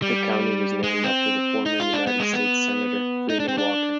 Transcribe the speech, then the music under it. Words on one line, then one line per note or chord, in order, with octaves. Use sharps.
The county was named after the former United States senator Freeman Walker.
G3
G#3
C4
D#4
F4
D4
B3
G#3
B3
D#4
D4
C4
D4